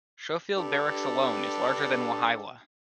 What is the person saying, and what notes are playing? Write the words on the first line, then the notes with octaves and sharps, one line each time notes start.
Schofield Barracks alone is larger than Wahiawa.
G2 D4 G4 A4